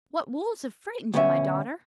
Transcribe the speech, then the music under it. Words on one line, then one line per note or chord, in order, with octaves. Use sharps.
What wolves have frightened you, my daughter?
D2 B2 B3 C#4 E5